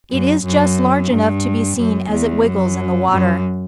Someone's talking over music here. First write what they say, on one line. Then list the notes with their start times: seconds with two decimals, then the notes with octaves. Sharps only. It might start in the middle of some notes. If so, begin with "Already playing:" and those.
It is just large enough to be seen as it wriggles in the water.
0.10 F#2
0.44 F#2
1.11 G2
1.77 F#2
2.11 E2
2.44 F#2
3.11 F#2